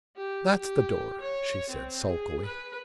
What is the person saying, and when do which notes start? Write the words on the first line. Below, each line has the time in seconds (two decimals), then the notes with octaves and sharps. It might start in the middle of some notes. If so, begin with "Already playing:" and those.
"That's the door," she said sulkily.
0.17 G4
0.58 G4
1.21 C#5
1.70 C4
2.07 G#4
2.46 B4